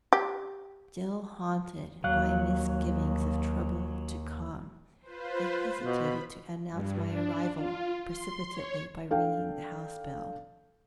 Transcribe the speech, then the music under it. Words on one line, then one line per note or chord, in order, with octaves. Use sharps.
Still haunted by misgivings of trouble to come, I hesitated to announce my arrival precipitately by ringing the house-bell.
G4
D#2 F#3 F5 F#6
F4 B4 C5
B2 B5
G2
D4
F4
C6
C#5
D4 A4 F5 G5